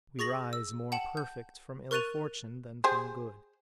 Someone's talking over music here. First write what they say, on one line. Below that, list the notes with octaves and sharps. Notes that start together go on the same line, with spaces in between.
We rise more perfect from ill fortune than from good.
G#4 C#6 A6 A#6 F#7
E6
F#5 G5 A5 C#7 E7 F#7
G6
A#4 C#6 F#6 A6 D#7 F7
G4 G#4 C5